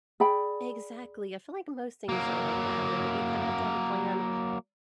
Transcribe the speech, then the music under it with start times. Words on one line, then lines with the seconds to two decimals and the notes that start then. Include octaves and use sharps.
Exactly. I feel like most things are like that, where you kinda have to have a plan
0.20 G#4 D5 G5 B5
2.09 F#3 A#3